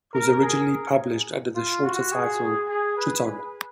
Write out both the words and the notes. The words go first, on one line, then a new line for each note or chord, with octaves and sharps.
It was originally published under the shorter title Triton.
A#4
G#4
F4
F#4
G#4
G#4
B4